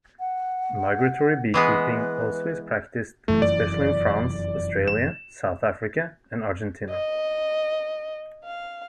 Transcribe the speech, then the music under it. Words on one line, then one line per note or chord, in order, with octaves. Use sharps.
Migratory beekeeping also is practiced, especially in France, Australia, South Africa and Argentina.
F#5
E3 G#3 B3 B4
F1 F#2 E3 A3
D5
E7
D#5
F5